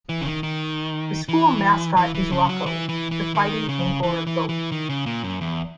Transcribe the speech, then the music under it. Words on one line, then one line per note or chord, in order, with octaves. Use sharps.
The school mascot is Rocko, the fighting Angora goat.
E3
C#3
D#3
D#3
E3
E3
E3
C#3
F#3
E3
E3
E3
D#3
C#3
E3
E3
E3
D#3
C#3
A#2
F#2
E2